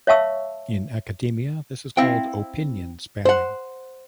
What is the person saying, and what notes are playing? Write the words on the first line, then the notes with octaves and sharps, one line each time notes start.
In academia, this is called "opinion spamming".
C#5 E5 F5 A5 C#6 E6
C4 E4 F5 G5
C5 F#5